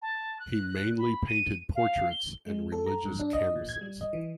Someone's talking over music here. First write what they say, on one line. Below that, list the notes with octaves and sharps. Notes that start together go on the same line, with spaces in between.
He mainly painted portraits and religious canvases.
A5
F#6
F#6
B5
D#7
F5
G7
G#3
A4
A#5
G2
D4
D#5
A#2
G#6
G3
D#5
E3